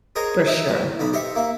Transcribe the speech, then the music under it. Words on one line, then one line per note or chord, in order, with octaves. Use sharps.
For sure.
G#4 A#4 C5 C#5 D#5
D#4 E4 D#5
E3
B1 D#4 B5
G4 C5 D#5 E5 C#6
A#3 E5